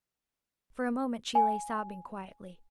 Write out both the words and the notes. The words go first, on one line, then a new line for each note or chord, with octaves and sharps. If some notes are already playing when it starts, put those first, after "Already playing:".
For a moment she lay sobbing quietly.
G#5